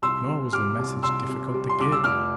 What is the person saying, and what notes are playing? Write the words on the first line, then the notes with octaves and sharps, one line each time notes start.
Nor was the message difficult to give.
C2 C6 E6
C3
G3 D6 F6
C2
C2 C6 E6
C3
G3
C6
C2 D6
E6
F1 D6 F6